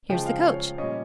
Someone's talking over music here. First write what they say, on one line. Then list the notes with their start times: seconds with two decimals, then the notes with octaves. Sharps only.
Here's the coach.
0.09 C#3 F3 G#3 G5
0.26 F5
0.44 C#5
0.78 A#2 G3 C#4 D#5